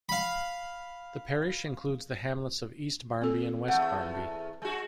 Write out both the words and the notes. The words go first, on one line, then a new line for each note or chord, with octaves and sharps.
The parish includes the hamlets of East Barnby and West Barnby.
F5 B5
C4 A4
E2 A3 F#5
G#3 F#4